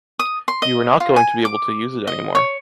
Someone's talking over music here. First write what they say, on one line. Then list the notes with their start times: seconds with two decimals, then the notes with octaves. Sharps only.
You were not going to be able to use it anymore.
0.19 D#6
0.48 C6
0.62 D#5
1.00 F4
1.16 G#5
1.45 D6
2.07 D#5
2.35 C#5